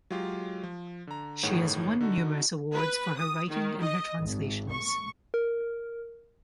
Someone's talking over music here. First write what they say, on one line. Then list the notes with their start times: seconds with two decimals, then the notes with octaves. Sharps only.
She has won numerous awards for her writing and her translations.
0.10 F#3 G#3 F4 G4
0.63 F3
1.07 D3 A#5
1.43 G1 A2 D#3 G#4 C#5 F#5
2.01 D3 D#4 F#4
2.74 B4
3.18 D#6
3.49 D#3
3.82 D#5
4.20 G#1
4.71 C#6
5.34 A#4